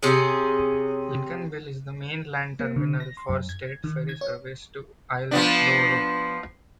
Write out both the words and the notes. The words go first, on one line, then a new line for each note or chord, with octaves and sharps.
Lincolnville is the mainland terminal for state ferry service to Islesboro.
C3 C#4 G#4
A#3
D3
A#6
C6
F#2
G#6
D#3
G#6
C#5
F3 B3 D4